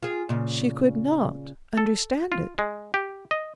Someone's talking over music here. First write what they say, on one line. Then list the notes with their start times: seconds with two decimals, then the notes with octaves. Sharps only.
She could not understand it.
0.03 F4 G#4
0.29 A#2 C#3
1.77 A4
2.32 F4
2.59 G#3
2.94 G4
3.31 D#5